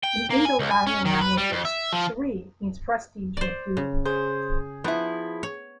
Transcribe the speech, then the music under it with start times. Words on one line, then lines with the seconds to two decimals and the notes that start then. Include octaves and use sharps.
In Indo-Aryan languages, Sri means prestige or beauty.
0.04 G5
0.30 A#3
0.45 G#5
0.59 C#2
0.71 G#5
0.87 C#4
1.05 D#3
1.21 B4
1.38 G3
1.52 F2
1.65 E5
1.93 F3
3.37 C5 D5
3.77 C#3
4.05 G#4 C5
4.84 F3 B3 E4
5.43 C#5